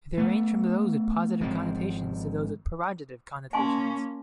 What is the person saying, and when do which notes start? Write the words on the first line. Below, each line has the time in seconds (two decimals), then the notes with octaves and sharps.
They range from those with positive connotations to those with pejorative connotations.
0.18 A3 B3
1.40 G#1 F3 G#3 C4
3.53 A#3 C#4 G#5 A5 C6